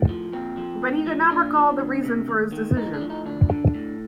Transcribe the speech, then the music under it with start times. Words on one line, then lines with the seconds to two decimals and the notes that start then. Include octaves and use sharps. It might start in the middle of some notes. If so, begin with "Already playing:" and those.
But he could not recall the reason for his decision.
Already playing: A2
0.09 F3
0.33 A#2 C4
0.57 F3
0.82 A2
1.06 F3
1.31 A#2 D4
1.55 F3
1.80 D2
2.04 C3
2.28 D#2
2.52 D#3
2.77 A2 D#4
2.93 D4
3.01 F3
3.10 D#4
3.26 D2 D4
3.50 D3
3.74 A2